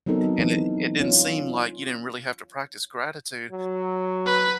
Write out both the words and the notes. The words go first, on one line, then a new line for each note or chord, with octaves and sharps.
And it it didn't seem like you didn't really have to practice gratitude
F#3 B3 C4 D#4 A4 A#4
E3
C#4 F4
F#3
B4